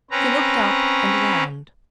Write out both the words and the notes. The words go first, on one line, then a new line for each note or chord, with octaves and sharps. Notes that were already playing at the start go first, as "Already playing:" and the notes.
She looked up and around.
C4 C#4 B4 A#5